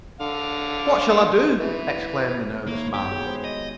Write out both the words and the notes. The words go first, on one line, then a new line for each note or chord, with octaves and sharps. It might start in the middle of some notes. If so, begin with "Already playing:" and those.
"What shall I do?" exclaimed the nervous man.
D3 F5
E3
D#3 A#3 E4 C#5
B3 G4
F#4 G#4 C#5
G#3 C5
D#5